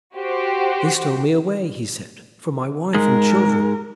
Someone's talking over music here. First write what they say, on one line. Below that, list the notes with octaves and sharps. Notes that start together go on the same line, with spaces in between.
"They stole me away," he said, "from my wife and children."
F#4 G4 C5
G#2 G#3 A#4